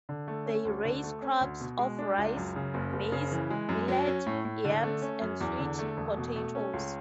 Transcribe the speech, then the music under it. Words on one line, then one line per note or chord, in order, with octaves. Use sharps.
They raise crops of rice, maize, millet, yams, and sweet potatoes.
D3
A3
C#4
D2
D3
A3
C#4
D2
B2
G#3
D4
C#2
F#2
C#3
F#1
F#1
C#3
E3
G#3
F#2
F#3
C#4
A2
A2
D3
A3
C#4
F#2
E2
D3
A3
E1
B2
A3
C#4
C#2